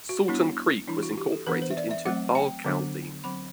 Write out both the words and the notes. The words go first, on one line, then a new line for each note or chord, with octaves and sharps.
Saltern Creek was incorporated into Barcaldine.
F#4
G3 B3 D4 E4
E3 G3 D4 E4
F#4
G4
A4
E3 B3 D4 B4
C5
E5
D5
E5
F#3 A3 C4 F#5
G5
D3 F#3 B3 D4
F#3 C4 B5